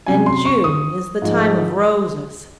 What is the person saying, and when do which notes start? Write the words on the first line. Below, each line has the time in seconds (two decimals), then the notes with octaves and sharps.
And June is the time of Roses.
0.06 C3 F#3 C#4 G#5
0.26 C6
0.45 C#6
0.64 D#6
1.22 G#2 F3 G#3